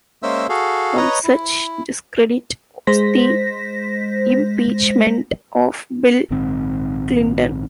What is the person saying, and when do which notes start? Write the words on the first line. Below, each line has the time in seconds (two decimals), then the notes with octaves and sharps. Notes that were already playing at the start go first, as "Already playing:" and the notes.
One such discredit was the Impeachment of Bill Clinton.
0.23 G#3 A#3 C#4 C5 E5 E6
0.49 F#4 G#4 A4 F5
0.97 B4 C#5 D#5 A#5
1.24 E4
2.87 G#3 C5 A#6 B6
6.30 A#1 G#2 D#3 C4